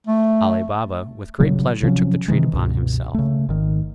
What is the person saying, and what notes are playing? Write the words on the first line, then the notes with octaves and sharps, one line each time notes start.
Ali Baba with great pleasure took the treat upon himself.
A3
G2 A#2 C#3 F#3
C3 F3 F#3 C#4
C3 D#3 E3 G#3
C#2 G2 B2
C#3 A3
G#1 D#3